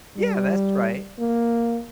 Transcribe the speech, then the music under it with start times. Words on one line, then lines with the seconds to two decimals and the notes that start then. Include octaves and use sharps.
Yeah, that's right.
0.17 G3
1.19 A#3